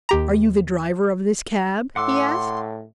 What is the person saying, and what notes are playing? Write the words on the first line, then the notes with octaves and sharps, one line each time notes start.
"Are you the driver of this cab?" he asked.
D#2 G4 A#5
A2 F#5 C6 D6 E6